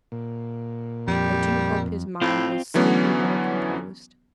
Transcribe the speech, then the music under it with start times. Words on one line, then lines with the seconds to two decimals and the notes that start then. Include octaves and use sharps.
I do hope his mind will soon be more composed.
0.12 A#2
1.08 F2 G3
2.21 A2 C4 F4
2.74 D3 E3 F#3 B3 C#4